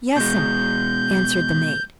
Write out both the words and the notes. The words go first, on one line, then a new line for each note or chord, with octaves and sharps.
"Yes'm," answered the maid.
B2 G#3 G6